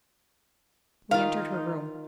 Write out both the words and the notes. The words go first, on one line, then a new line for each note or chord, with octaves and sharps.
We entered her room.
D#3 D#4 F4 F5